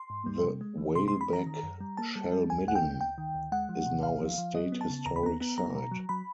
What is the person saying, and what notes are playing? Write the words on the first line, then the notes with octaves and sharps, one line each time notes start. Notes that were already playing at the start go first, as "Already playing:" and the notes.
The Whaleback Shell Midden is now a state historic site.
Already playing: C6
G#2
G3
C3
G#3
E3
C3 C6
C6
G#3
B5
E3 A#5
D#3
F#2
G3
A#3 A5
G3
G3
D2 G#5
D2 F#5
G5
D2
D2 G5
D#3
D2
G#3 F#5
F3
C3
C2 F5
F3
F3
F#3 D#5
B3
A5
C#3
D#2 A#5
B5
B3 A#5
B3
F#3 A#5
B2
F#3
F#3 B5